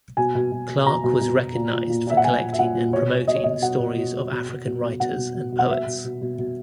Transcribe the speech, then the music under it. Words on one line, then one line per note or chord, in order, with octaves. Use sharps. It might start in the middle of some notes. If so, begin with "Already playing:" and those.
Clarke was recognized for collecting and promoting stories of African writers and poets.
B2 G#5
B2
B2
B2
B2 A#5
B2
B2
B2
A#2
A#2
A#2
A#2 E5
F#5
A#2 G#5
A#2
E5
A#2 F#5
A#2
B2 C#5
B2
B2 D#5
C#5
B2 D#5
B2 F#5
B2
B2
B2
B2
B2
B2
B2
B2 F#5
B2
B2
B2
F#5
B2 E5
B2
B2
B2
B2